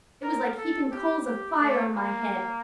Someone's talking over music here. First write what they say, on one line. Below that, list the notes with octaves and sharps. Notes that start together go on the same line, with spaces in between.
It was like heaping coals of fire on my head.
A#4
A4
G4
G4
A3
A#3